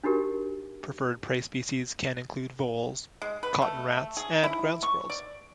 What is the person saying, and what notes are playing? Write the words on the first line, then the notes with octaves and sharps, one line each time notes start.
Preferred prey species can include voles, cotton rats and ground squirrels.
D4 D#4 F#4 G4 A#4
G#3
B4
A3
G#4
E4
C#6
D5